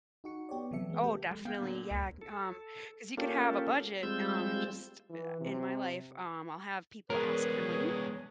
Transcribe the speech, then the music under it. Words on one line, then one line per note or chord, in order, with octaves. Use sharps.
Oh, definitely, yeah, can um 'cause you could have a budget, um, and just uh, in my life um, I'll have people ask for money,
D#4 F#4 C#7
B3 G4 C#5 D5
C3 E3 F#3 A4 E5 C#7
G#3 B3
A3 A#3 G4 A4 G5
G#3
B3 F5 G5
A#2 D3
D2
A4
A#3 C#4 F4 G4 A4
G3 G#3 C4 F4 E6 G6
E3
C3
G#3 B3 D4 G#4 A#4 B4 C#5